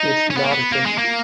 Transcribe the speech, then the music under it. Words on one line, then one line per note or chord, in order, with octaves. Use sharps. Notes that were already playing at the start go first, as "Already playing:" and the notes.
it's the oddest thing.
Already playing: D#4
C#4
B3
A#3
B3
A#3
G#3
A#3